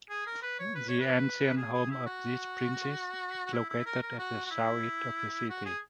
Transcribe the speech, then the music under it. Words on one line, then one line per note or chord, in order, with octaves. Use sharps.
The ancient home of these princes is located at the south-east of the city.
G#4
A#4
B4
C#5
B4
C#5
B4
G#4
G#4
E4
F#4
F#4
E4
E4
A#4
A#4
F#4
F#4
E4
F#4
G#4